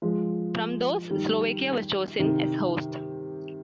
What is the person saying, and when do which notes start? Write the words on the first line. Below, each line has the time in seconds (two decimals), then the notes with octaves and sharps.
From those, Slovakia was chosen as host.
0.02 F3 G#3
1.10 D#3 G3
2.19 C3 D#3